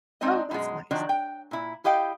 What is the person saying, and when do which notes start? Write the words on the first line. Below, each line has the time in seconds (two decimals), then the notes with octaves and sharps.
Oh, that's nice.
0.21 G#3 C4 D4 D#4 D#5
0.51 F#2 B2 G#3
0.91 D#3 F3 F#3 D4
1.09 G5
1.51 A#2 E4
1.84 E4 G4 D#5 F5 G5